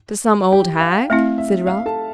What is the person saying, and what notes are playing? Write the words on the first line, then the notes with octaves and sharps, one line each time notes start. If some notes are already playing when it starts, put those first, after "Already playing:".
'To some old hag?' said Ralph.
G4 G5
F5
A3 C4 E4 F5
E5
F5
A4 A5